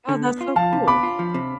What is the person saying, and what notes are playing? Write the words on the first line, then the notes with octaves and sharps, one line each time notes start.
Oh, that's so cool.
D3
B3
F4
F3 F5 A5
C3
B3 B5 D6
F4
F3
C3